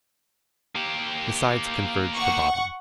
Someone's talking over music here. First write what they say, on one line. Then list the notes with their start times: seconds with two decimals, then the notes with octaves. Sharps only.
The sides converged to bottom.
0.75 A#3 G4
2.16 F#5 C#6